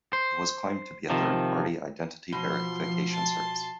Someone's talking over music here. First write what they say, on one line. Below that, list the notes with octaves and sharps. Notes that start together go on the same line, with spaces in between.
It was claimed to be a third-party identity verification service.
C5
C3 D#3 F3
B2 F3 C6
A5 C6